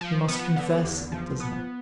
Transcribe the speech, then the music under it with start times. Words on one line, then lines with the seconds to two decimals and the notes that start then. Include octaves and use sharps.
We must confess it does not.
0.01 F3
0.28 B3
0.56 D3
0.85 E2
1.12 F3
1.40 B3